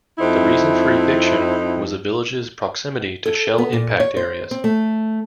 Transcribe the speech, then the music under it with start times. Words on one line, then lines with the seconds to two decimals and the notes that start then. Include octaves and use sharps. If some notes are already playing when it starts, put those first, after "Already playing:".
The reason for eviction was the village's proximity to shell impact areas.
0.19 F2 C4 D#4 E4
3.26 A4
3.58 B3
3.73 A#2
4.00 C#5
4.17 C5
4.51 C4
4.64 A3